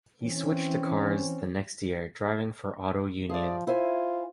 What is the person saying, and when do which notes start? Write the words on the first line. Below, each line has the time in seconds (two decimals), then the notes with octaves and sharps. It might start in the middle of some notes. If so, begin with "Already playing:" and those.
He switched to cars the next year, driving for Auto Union.
0.22 E3 C4 C#4
3.29 F3 G#4 D5
3.67 E4 F4 C5 G#5